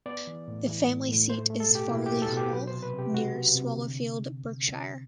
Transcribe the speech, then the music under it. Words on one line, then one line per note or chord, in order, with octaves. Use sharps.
The family seat is Farley Hall, near Swallowfield, Berkshire.
B3 D5
E3
A2
E3
A2
A2
A3 C5
A3
A4
B2 G4
B2 E4
G4
B2
A4
B2
G4
F#3 B4
C5
C3
B4
C3
G4
C3 F#4
B3
C3
D3